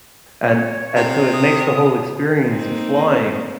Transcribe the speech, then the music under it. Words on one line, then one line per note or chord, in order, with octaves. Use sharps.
and and so it makes the whole experience of flying
C#5
C3
D#6
A#3 C4 D#4